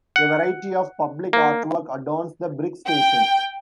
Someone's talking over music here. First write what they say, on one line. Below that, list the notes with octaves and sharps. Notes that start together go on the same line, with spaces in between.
A variety of public artwork adorns the brick station.
F#5
A#3
G5